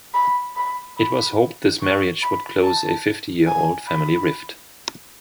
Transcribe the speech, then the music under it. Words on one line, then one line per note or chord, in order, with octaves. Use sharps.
It was hoped this marriage would close a fifty-year-old family rift.
B5
B5
B5
C#6
B5
A5
G#5
B5